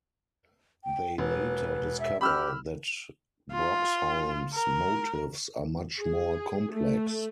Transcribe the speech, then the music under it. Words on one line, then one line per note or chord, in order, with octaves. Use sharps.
They later discover that Broxholm's motives are much more complex.
G5
E1 B4
E5
G4 B5 E6 F6
F4
A#4
G#4
A3